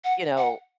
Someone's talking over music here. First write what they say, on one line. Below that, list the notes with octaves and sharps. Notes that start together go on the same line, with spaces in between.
you know
F#5
F#5